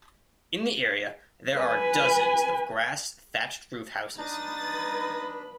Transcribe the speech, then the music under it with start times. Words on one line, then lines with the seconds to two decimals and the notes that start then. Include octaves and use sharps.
In the area there are dozens of grass thatched roof houses.
1.57 B4 G#5
4.19 D4 D#4 B4 B5 D#6 A6